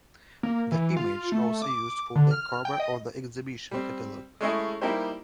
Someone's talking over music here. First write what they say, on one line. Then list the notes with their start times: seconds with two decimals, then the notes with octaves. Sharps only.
The image also used for the cover of the exhibition catalog.
0.43 A#3
0.72 E3
0.97 F4
1.32 A3
1.62 D6
2.15 D3
2.31 F6
2.65 G5
2.80 D#5
3.71 G3 C4
4.41 G#3 A3 C#4 E4 G#4 D#5
4.81 G3 A#3 D#4 E4 G4 C5